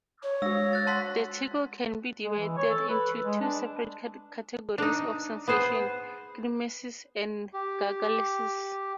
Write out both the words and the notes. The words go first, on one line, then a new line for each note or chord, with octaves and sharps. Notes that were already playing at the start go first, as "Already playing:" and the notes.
The tickle can be divided into two separate categories of sensation, knismesis and gargalesis.
C#5
G#3 F#4 E6 A#6
F#6 A6
F#5 A5 C6 B6
G#3
E3
C#5
A4
B4
G#3
D4
D4 D#4
B3 G#4 C5
G4